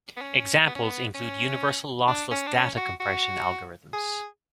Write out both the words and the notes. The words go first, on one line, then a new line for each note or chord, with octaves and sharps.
Examples include universal lossless data compression algorithms.
B3
C#4
B3
C#4
B3
C#4
D4
C#4
D4
C#4
F#4
F#4
G#4